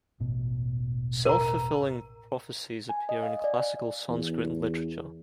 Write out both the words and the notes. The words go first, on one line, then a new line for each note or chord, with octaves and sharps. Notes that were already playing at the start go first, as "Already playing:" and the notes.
Self-fulfilling prophecies appear in classical Sanskrit literature.
E1 A1 B2
A#4 A#5
G#5
D#5
F5
D5
E2